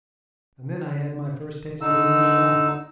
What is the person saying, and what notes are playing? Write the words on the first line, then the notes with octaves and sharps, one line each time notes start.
And then I had my first taste of English life.
D3 D#4 E6